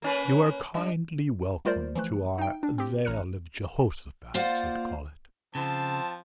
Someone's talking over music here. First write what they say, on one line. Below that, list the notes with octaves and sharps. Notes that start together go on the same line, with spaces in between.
You are kindly welcome to our Vale of Jehoshaphat, so to call it.
A#3 C#4 B4
G3 D4
G3 A3 F4 A#4 C5 D5
E3 F3 A3 F#6
D#4 G5
D4
C4 G4
A1 A#5 F6 F#6 C#7
A#3 F4 C5 D5 F5 F#5
C#3 F3 C4 A5